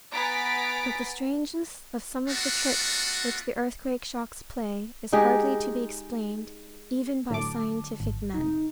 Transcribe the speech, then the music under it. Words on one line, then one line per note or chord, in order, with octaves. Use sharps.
But the strangeness of some of the tricks which the earthquake shocks play is hardly to be explained, even by scientific men.
B3 G#5 A#5 A6 B6 D7
A3 B3 D4 F4 F#4
G#3 D#4 G4 G#4
A2 D3 F#3 A5 D6
G#1
F2 C3 D#4